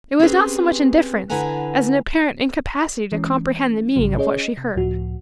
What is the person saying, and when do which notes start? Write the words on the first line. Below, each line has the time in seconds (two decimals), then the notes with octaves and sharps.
It was not so much indifference as an apparent incapacity to comprehend the meaning of what she heard.
0.20 C4 C#4 G4 G#4 B4 C5
1.30 D3 E4 B4 F#5 G#5 A#5
3.12 E3 G#3 C#4
3.96 A1 G#2 C#3 F#3
4.18 C#4 G#4 C#5 D#5
4.57 C3
4.75 C#2 A2 F3 F#4